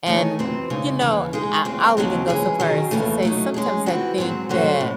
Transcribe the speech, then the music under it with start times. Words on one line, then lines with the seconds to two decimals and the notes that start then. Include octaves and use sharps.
And, you know, I I'll even go so far as to say, sometimes I think that
0.06 D#3 A3 D#4 G#4 C#5
0.39 F#2 E3 C4
0.70 C#3 G#3 D#4
1.01 D#2 C#3 E3
1.33 G#3 D#4 G#4
1.65 E2 C#3 G#3 C4
1.97 D#2 C#3 F#3 C4 D#4
2.28 E3 G#3 C#4 G#4
2.60 D#3 F#3 C#4 G#4
2.91 D#2 C#3 E3 A3
3.22 F#3 A3 D#4
3.54 G#3 C#4 G#4
3.86 E3 C4 F#4
4.18 G#2 F#3 C4
4.49 F#3 A3 C#4 F#4 C5
4.81 A2